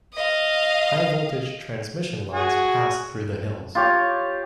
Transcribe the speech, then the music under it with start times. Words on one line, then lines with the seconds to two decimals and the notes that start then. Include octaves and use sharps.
High-voltage transmission lines pass through the hills.
0.14 D#5 F5
2.34 F#4 G#4 G#5
3.75 F4 G4 C#5